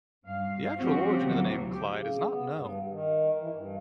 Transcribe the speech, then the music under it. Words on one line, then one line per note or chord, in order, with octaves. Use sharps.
The actual origin of the name "Clyde" is not known.
G2 F5
F3 C4 C#4 F#4 G4
D2 C3 E3 F#3 B3
G4
C#3
B3
G2
D#3
E3
G2